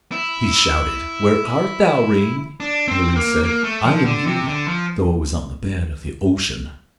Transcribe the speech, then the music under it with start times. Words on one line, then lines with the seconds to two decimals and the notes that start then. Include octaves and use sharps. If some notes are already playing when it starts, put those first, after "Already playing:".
He shouted, 'Where art thou, ring?' And the ring said, 'I am here,' though it was on the bed of the ocean.
0.12 E4
2.60 D4
2.88 C4
3.16 A#3
3.43 A#3
3.64 A3
3.84 F3
4.05 D3
4.26 C3
4.47 D3
4.68 F3